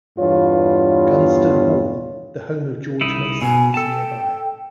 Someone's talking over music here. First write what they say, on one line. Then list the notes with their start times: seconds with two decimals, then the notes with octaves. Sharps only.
Gunston Hall, the home of George Mason is nearby.
0.19 E2 G2 B3 F4 C#5
3.01 C2 D#4 E4
3.42 B2 G#5
3.74 A4 G5 A5